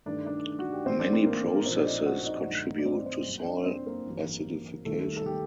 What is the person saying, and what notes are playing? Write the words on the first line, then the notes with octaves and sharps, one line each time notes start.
Many processes contribute to soil acidification.
G2 D#3 A3 D4 D5
D4 D5
F#4
G4
A1 A2 A3 C4 C5
D4 D5
C4 C5
A#3 A#4
A#4
A#1 A#2 A3 C4 C5
D5
D#4 D#5
F#4 F#5
D5
D#4 D#5
G2 D#3 F#3 A3
D5
C4 C5
C4 C5
F#2 F#3 A#3
D4 D5
C4 C5
A#3 A#4
A1 G2 F#3
D#2 D#3 G3 A3 A#3 A4
A4
G4